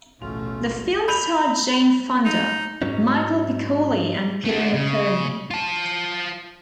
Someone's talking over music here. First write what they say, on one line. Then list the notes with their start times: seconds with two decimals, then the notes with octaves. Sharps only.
The film starred Jane Fonda, Michel Piccoli and Peter McEnery.
0.21 D1 A1 B2 A3 C#4 F4 F#4 F7
1.08 B5 G6 F7
2.25 D#4
2.82 G#2 F#3 B3 C#4 D#4
4.45 A3 D4
4.74 C#3
5.51 F4 A5